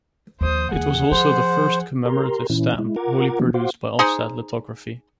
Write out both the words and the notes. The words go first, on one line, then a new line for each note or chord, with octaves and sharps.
It was also the first commemorative stamp wholly produced by offset lithography.
D#2 F3 C5 D#6
D#2 E3 G#4 F#5
F3 C5
G4 A#4 A#5 C6
A#2 E3 C#4 E4
G#3 E4
F4 A#4 F#5 A#5 D6 G#6
E3 F3 A#3 B3 D4 F#4
F#4 C5 F5 F#5 C6 D6
D#4 G#4 C5